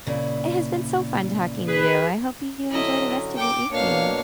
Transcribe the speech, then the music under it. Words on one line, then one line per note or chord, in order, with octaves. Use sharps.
It has been so fun talking to you, I hope you enjoy the rest of your evening.
A#2 C#3 E4
G#4 B4
D3 F#3 C#4 E4 D#5
G5 D6
B2 A#3 D4 C#5 F5